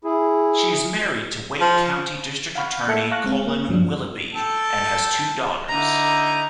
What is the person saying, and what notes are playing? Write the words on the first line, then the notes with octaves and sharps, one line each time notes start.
She is married to Wake County district attorney Colon Willoughby and has two daughters.
E4 G#4
F3
F5 F#5 B5 C#6 F6
A#3 A4 E5 C#7
F5 A5 C#6 F6 F#6 A#6
G#3 C4
A#3
G2 F3 F#3 D4
A4 G5 A5
D3 D#4 E4 A#5